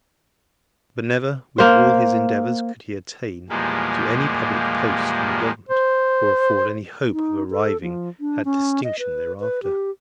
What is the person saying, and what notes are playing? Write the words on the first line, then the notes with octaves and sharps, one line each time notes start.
But never, with all his endeavours, could he attain to any public post in the government, or afford any hope of arriving at distinction thereafter.
A#3 C5
E2 A#2 F3 G3 G#3 A#3
C5
D#4
A4
F3
D4
C#4
D#5
B4
B4
G4